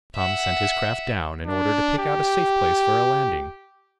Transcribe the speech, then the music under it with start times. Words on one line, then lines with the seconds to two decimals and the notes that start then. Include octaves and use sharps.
Tom sent his craft down, in order to pick out a safe place for a landing.
0.15 E5 F#5
1.47 D4
1.98 G4